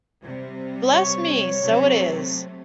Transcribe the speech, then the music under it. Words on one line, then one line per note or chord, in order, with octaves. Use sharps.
Bless me, so it is!
C3 G3
C#5
C3 F#3 A3